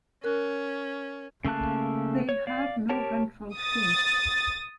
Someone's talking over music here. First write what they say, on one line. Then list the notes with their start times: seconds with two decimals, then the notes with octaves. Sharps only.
They have no ventral fins.
0.24 C#4 A#4 F#6
1.45 C#3 A3 A#3 A5 F#6
2.29 C#5
2.47 D5 F5
2.89 G4 A#4 C#5 A5
3.56 D#6 A6